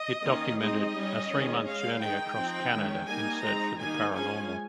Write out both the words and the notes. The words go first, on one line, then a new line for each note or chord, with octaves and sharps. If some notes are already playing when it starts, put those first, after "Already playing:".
It documented a three-month journey across Canada in search for the paranormal.
Already playing: D#5
D#3 A#3 C#4
G#3 C4 D#4 D#5
G3 C#4
D#3 G#3 C#4
G#3 C#4 F5
D#3 G#3 D#4 G5
F3 C4 D#4
D#3 G#3 C#4
G3 A#3 D#4 G#5
G#3 C4 D#4 A#5
D#3 G3 A#3 D#4 G#5
F3 G#3 C#4 G#5